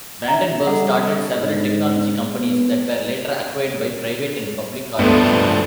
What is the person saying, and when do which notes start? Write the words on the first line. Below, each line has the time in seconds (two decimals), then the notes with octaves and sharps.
Brandenburg started several technology companies that were later acquired by private and public corporations.
0.28 E5 A#5
0.67 G3 A4 D#5 F#5
1.36 G#2
2.44 B3
4.99 G2 F3 A3 B3